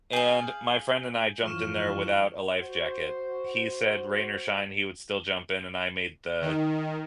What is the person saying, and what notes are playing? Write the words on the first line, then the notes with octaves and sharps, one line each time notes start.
And my friend and I jumped in there without a life jacket. He said, "Rain or shine," he would still jump in, and I made the,
G#4 F5 G6 F#7
F#2 E3 F3 C#6 F6 E7
F#4 C5
D#3